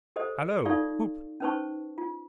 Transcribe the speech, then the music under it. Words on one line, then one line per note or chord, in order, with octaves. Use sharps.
Hallo! Whoop!
G4 A4 C5 D#5
D#4 F4 A4 D5 F5 C#6
C#4 D#4 B4 C5 A5 C#6
F4